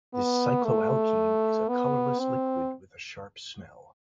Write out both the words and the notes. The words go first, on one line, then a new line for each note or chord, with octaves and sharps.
This cycloalkene is a colorless liquid with a sharp smell.
B3
A3
B3
C4